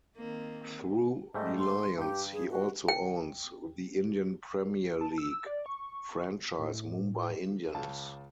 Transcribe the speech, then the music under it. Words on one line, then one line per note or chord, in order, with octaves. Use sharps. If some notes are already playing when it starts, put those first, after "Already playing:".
Through Reliance, he also owns the Indian Premier League franchise Mumbai Indians.
D#3 A#3 C4
G#2 G3 A3 D#5
C6
G2 G4 G5
G#4
F#4
G5
A5
E6
D5
C#6
A2
C#2 A5